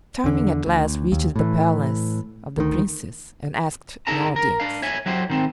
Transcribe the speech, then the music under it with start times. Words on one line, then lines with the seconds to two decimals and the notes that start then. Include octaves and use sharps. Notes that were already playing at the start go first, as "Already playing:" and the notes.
Charming at last reached the palace of the Princess, and asked an audience.
0.24 E2 D3
0.67 D2
1.12 D#2
1.36 A2 E3
2.58 D2 D#3
4.07 D#4 G#4 A#4 E5 A5 A#5
4.36 A#4
4.60 D4 F5
4.82 C#5 E5 G#5
5.06 F#3 E4 G4 C5
5.30 D#3 C4